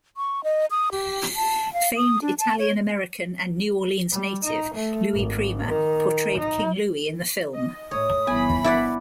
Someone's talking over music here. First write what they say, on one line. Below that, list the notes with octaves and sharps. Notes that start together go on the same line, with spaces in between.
Famed Italian-American and New Orleans native Louis Prima portrayed King Louie in the film.
C#6
D#5
D#6
G4
A5
F5
D#6
D4
A5
C#5
G3
D#4
A3
G#1
D#3
D#4
D#5
A2 C#5 D#6
G1 E3 B3 G#5 B5
E4 D5 E5 F#5